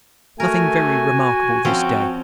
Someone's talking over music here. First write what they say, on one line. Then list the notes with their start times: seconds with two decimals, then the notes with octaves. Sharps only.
Nothing very remarkable this day.
0.40 A3 F#4 A#4 G#5
1.65 F3 C4 C#4 F#4 G5